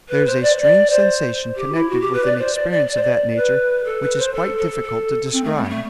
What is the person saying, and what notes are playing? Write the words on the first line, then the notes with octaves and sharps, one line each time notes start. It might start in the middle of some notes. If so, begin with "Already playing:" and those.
There is a strange sensation connected with an experience of that nature which is quite difficult to describe.
B4
C5
D5
D5
C5
G4
E4
F#4
G4
B4
D5
C5
D5
D5
D5
C5
D5
B4
A4
B4
C5
A4
A4
A4
C4
A3
G3
B3
A3